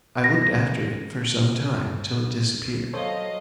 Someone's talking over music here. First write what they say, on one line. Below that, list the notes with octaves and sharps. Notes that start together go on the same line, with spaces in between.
I looked after it for some time till it disappeared.
A#6
F#3 A4 C5 C#5 D#5 F5